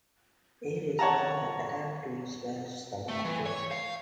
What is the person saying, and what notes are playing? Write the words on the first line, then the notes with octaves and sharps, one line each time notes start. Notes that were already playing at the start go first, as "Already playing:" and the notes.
It is not an attempt to smash the market.
C#5 F#5 A5 A#5
A3
E3
C#5
F5